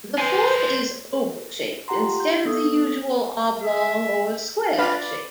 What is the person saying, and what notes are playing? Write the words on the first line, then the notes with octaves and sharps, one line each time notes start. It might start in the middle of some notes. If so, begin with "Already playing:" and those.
The fort is oval shaped instead of the usual oblong or square shape.
F3 G#3 B4 C5 G5 G#5
F4 G4 F#5 A#5 C6
G6
B3 A4 D#6
E5
D4 F4 B4 D5 F5 B5